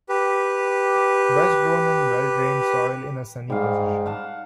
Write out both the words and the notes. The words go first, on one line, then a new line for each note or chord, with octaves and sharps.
Best grown in well drained soil in a sunny position.
G4 B4
G#2 G3 F5
F5 F#5 A5